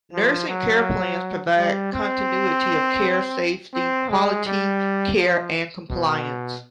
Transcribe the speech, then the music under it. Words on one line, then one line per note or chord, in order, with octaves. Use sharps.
Nursing care plans provide continuity of care, safety, quality care and compliance.
F3
F#3
G3
C4
C4
G#3
G3
F3
B2